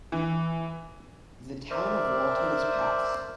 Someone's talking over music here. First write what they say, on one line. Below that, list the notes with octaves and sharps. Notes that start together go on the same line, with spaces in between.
The town of Walton is passed.
E3
A#4 C5 D5 E5